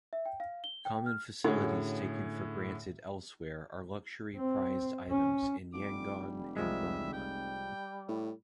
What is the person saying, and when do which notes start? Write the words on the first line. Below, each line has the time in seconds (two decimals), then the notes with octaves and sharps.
Common facilities taken for granted elsewhere are luxury prized items in Yangon and Burma.
0.13 E5
0.26 G5
0.40 F5
0.64 G7
0.85 G5
1.06 F6
1.44 A2 D3 C#4 F#4 G#4
4.35 C4
5.10 C#4
5.74 F1 G3 D6
6.56 C2 F3 G3 G#3 E5
7.13 G3 G5
8.08 A2